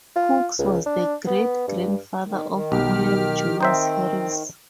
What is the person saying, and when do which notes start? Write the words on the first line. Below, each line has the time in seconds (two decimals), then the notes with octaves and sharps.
Hooks was the great-grandfather of William Julius Harris.
0.16 F4
0.59 C#2
0.86 D4
1.27 B3
1.68 G2
2.24 D#3
2.50 D#3
2.72 B1 G4 F6
3.61 C4 D#4 C5 E5